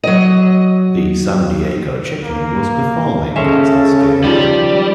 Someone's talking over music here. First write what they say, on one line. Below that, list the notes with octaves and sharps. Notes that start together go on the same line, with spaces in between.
The San Diego Chicken was performing at this game.
F#3 D#5
A#3
C#3 G#3 C#4 A4 E5
D#3 F3 G3